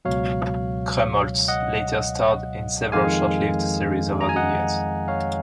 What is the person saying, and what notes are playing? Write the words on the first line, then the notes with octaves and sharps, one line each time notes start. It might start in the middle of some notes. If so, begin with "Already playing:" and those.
Krumholtz later starred in several short-lived series over the years.
C#2 B2 F#3 C#5 F5
D#5 F#5
F2 D#3 G#3 F5 G#5
A#5
G#5
D#5 F#5
C#5 F5